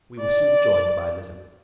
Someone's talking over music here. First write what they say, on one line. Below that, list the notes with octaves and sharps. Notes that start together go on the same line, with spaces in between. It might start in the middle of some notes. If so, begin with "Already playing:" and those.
We were soon joined by Elizabeth.
D5